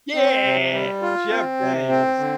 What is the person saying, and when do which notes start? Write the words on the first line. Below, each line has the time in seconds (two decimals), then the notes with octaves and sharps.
Yeah! Jeff Daniels.
0.15 C4
0.44 C3
0.73 G3
1.02 F4
1.31 C4
1.61 C3
1.89 C4
2.19 D3